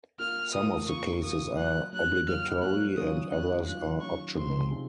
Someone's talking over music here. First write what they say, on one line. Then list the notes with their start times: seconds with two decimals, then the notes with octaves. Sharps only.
Some of the cases are obligatory and others are optional.
0.19 A#3 F4 A#4 F6
0.54 A#3 F4 A#4 D#6
0.89 A#3 F4 A#4 C#6
1.24 A#3 F4 A#4 D#6
1.58 F#3 A#3 F4 F#6
1.93 F#3 A#3 F4 F#6
2.28 F#3 A#3 F4 F6
2.62 F#3 A#3 F4 F#6
2.97 D#3 F#3 C#4 F4 D#6
3.32 D#3 F#3 C#4 F4 F#6
3.66 D#3 F#3 C#4 F4 F#6
4.01 D#3 F#3 C#4 F4 C#6
4.36 C3 F3 C4 D#4 G#4 C6
4.70 C3 F3 C4 D#4 G#4